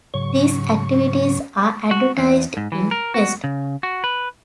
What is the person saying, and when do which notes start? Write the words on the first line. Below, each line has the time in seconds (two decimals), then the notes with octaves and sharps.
These activities are advertised in "Quest".
0.14 G#2 C#3 F#3 C#6
1.91 F#4
2.18 E2
2.57 G#2
2.72 E3
2.91 A#4
3.14 F#4
3.44 C#3
3.83 F#4
4.04 B4